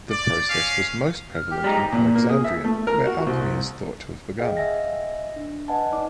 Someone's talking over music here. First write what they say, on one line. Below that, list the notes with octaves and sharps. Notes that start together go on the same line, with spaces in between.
The process was most prevalent in Alexandria, where alchemy is thought to have begun.
D5
C#4 F5
F6
G4
G3 G#3 D#4 A#5
A#2
A#3
G#4
E5
A3
A#4
F#4
C2
G#4 D#5 F5 G5
D#5 E5 G#5 A#6
D4
B4 D#5 F#5 G#5 A5
D#4 D5 D6